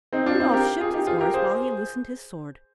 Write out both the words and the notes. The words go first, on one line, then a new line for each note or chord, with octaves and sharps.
Rudolf shipped his oars while he loosened his sword.
C4 D#4
D4 F4
C4 D#4
G4 A#4
F4 G#4
D#4 G4
F4 G#4
G4 A#4
G#4 C5